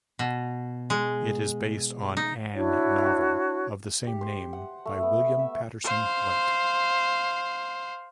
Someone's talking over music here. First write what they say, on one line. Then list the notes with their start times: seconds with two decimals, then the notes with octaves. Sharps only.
It is based on an novel of the same name by William Patterson White.
0.19 B2
0.90 G#3
2.17 D#4
2.54 D4 E4 F#4 C#5
4.07 G4
4.21 C5
4.53 F#5
4.86 A3
5.03 B3
5.39 E5
5.84 C5 F5